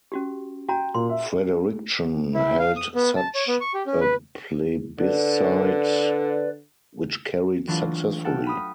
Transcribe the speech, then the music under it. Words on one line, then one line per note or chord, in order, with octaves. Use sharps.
Fredericton held such a plebiscite which carried successfully.
C#4 F#4 G4
F#4 G5 A#5
A#2 C6
E5
E4
F5
D#6
B3
A5
C#5
B3
C#6
G4
C#4
B4
D3 B4 D5
E3 F#3 A3 D4 F4
A4 F#5 G5 A5 F6
B5 D#6